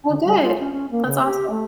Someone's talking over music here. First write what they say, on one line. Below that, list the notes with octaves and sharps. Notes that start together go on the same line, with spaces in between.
Oh, good, that's awesome.
D3
G3
F4
C#4
C#4
A#3
C#3
G4
A3